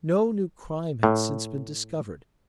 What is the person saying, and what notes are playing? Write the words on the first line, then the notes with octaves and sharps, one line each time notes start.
No new crime had since been discovered.
A2